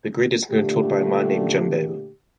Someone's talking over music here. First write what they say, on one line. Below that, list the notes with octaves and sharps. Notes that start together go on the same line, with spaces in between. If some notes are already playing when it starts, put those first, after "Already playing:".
The Grid is controlled by a man named Jumbo.
A#2 D3 A3 G4